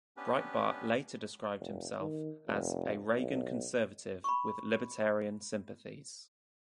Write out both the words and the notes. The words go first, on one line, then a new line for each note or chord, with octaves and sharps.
Breitbart later described himself as "a Reagan conservative" with libertarian sympathies.
B3 C#4 D4 G4 B4
F1
D#3
F1
B1
B5 C#6